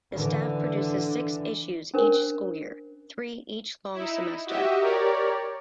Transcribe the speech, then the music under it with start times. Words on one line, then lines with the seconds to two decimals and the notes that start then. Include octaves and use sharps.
The staff produces six issues each school year, three each long semester.
0.14 D3 E3
1.94 C#4 D4 A#4 C5
3.94 D#4 E4
4.46 F#4 G4 D#5 E5
4.80 G4 A#4 C#5 D5